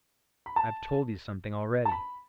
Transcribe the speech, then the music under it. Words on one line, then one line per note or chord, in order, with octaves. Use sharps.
I've told you something already....
B5
A5
A5
B5